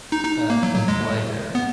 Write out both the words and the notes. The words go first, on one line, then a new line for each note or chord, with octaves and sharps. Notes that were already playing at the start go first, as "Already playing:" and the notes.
uh, in play there.
D#4
D#4
A#3
F#3
F#3
G#3
B3